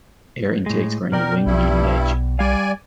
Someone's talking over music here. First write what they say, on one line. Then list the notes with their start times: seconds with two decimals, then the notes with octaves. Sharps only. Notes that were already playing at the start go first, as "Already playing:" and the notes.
Air intakes were in the wing leading edge.
0.66 A2 G#3
1.12 B2 A#4 D5 G5
1.46 B1 G2 G3 E4
2.39 G3 D5 F5 G#5